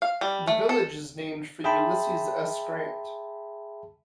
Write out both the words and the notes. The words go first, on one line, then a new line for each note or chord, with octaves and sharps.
The village is named for Ulysses S. Grant.
F5
G3
A3
A4
G#4 E5 G5 A5 B5 C6